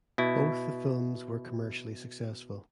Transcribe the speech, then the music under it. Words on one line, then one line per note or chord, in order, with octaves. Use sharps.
Both the films were commercially successful.
B2 E4